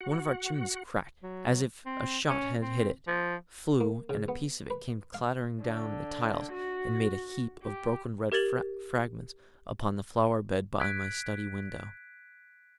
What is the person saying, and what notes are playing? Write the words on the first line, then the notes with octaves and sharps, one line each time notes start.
One of our chimneys cracked as if a shot had hit it, flew, and a piece of it came clattering down the tiles and made a heap of broken red fragments upon the flower bed by my study window.
F#4 F#5
F#3
C4
C#4
C4
F3
A#3
C#3
B3
B4
F5
D3
F#4
G4
G4 A#4 G#6 A6 F#7
F#6 G#6 B6 D7